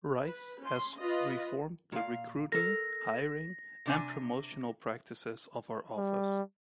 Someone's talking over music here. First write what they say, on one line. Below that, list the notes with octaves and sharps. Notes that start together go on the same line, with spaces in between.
Rice has reformed the recruiting, hiring and promotional practices of her office.
B4
C#4 C6
F4 B4 D#5
A#2 F5
A4 A#4 A#6
C3 D4 G#5
G3